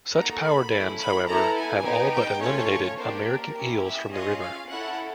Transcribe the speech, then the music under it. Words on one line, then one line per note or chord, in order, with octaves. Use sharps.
Such power dams, however, have all but eliminated American eels from the river.
A#3 D#4 F#4 A4 A#5
B5
A3 C#4 E4
B5
B3 E4 A4 A#5
G#5
B3 D#4 G4
G5
A3 C#4 F4 A4 C#5
A#3 D4 G4 C5
A#4
C#4 E4 G4
E5
C#4 F4 G#4 D#5
F5
C#4 E4 A4 F#5